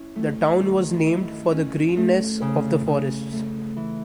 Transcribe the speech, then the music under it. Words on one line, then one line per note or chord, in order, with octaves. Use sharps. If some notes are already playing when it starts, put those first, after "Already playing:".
The town was named for the greenness of the forests.
Already playing: C#4 E4
A3
D#3
E4
C#4
A3
C#3
C#3
A3
E3